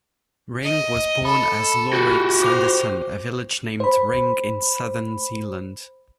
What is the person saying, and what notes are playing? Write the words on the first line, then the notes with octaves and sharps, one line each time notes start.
Ring was born as Laurits Andersen a village named Ring in southern Zealand.
D#5
A4 B5
F#4 G4
C5 D6 F7
C5 B5